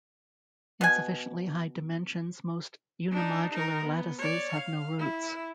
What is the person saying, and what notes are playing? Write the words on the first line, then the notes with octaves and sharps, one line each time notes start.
In sufficiently high dimensions most unimodular lattices have no roots.
B2 G#5
D4 D#4
D#4 A#4
B3
C#5 D5
F5
E4